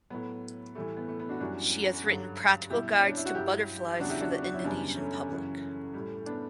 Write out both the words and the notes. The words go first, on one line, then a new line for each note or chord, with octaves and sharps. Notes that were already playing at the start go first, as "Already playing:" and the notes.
She has written practical guides to butterflies for the Indonesian public.
A2 F#3 B3
A2 E3 G3 A3
B3
A3
B3
D4 F#4
F#2 E3 G3 D4 F#4
G2 D3 F#3
B2 G3 E4 G4
C#4
D4
E4
F#4
G2 F#3 E4 G4
E2 C#3 F#3 D4 F#4
E4 G4
D4 F#4
D4 F#4
D4 F#4
C#4 E4
F#2 C#3 E3 G3 B3 D4
A3 C#4
F#2 C#3 E3
A2 G3
B3 D4